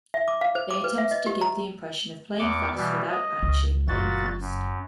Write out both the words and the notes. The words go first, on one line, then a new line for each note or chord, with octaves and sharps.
They attempted to give the impression of playing fast without actually playing fast.
E5
D6
F5
C5
D6
B4
E5
D#5
G4
A#5
E2 C#6 D6
B2 E3 G3
D#5
C#2
F#1 A#2 F#4 A6
F#2